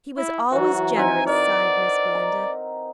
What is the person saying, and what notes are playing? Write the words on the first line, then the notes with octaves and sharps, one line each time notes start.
"He was always generous," sighed Miss Belinda.
E4
E3 F#3 F#4
C4 D#4 F#5 G#5
A#4 D5 D#5
A#5